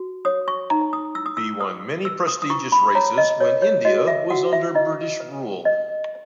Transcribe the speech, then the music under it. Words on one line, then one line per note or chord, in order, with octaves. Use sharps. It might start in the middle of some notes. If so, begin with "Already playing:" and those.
He won many prestigious races when India was under British rule.
Already playing: F#4
C#5 D#6
C#6
D#4 A#5
D#6
E4 E6
D#6
E6
B4 D#6
B4 E6
D#6
D#6
E4 C#6
B5
C#5 A#5
D#5
A#4 C#5
C#5
F#4 D#5
E5
F#4 F#5
E5
E4 D#5
B4
B4 D#5